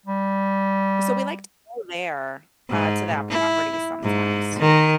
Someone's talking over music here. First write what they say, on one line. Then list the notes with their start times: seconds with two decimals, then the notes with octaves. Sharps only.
so we like to go there, uh, to that property sometimes too.
0.06 G3
2.69 G#2
3.30 E4
4.03 G#2
4.60 D#3